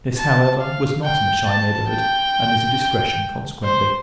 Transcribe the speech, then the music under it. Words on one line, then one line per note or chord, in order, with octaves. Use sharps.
This, however, was not in a shy neighbourhood, and is a digression consequently.
A5
F5
G5
A5
G5
C5